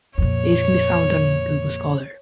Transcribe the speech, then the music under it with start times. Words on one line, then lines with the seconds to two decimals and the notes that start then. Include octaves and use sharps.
These can be found on Google Scholar.
0.18 F2 A#2 C#5